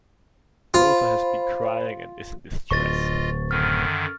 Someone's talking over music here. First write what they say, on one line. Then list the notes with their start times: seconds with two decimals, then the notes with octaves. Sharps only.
Rosa has been crying and is in distress.
0.74 F4 C5 B5
2.71 D1 F4 D#5 C#6 A6
3.51 F#2 D3 D#3 F6